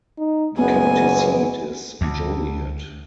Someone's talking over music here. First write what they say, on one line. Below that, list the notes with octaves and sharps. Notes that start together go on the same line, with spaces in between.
The county seat is Joliet.
D#4
F#1 C#2 B3 G#5
D2